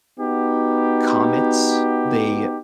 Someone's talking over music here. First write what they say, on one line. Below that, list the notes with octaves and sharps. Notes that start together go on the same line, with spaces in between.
comets, they
B3 D#4 F#4 G4